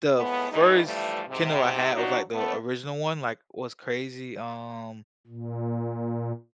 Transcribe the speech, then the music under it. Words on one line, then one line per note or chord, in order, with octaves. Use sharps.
the first Kindle I had was, like, the original one, like, what's crazy, um
F2 A2 G#3 B3
B2 E3 G3 A3 D#4
G2 E3 F3 G3 A3
G#2 C3
F3 F#3 D4 D#4 F#4
A3 B3 A4
A#2